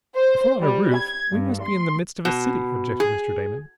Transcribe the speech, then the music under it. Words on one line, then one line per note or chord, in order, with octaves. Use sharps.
"If we're on a roof we must be in the midst of a city," objected Mr. Damon.
C5
G3
G#6
G2
C6
B2
G#4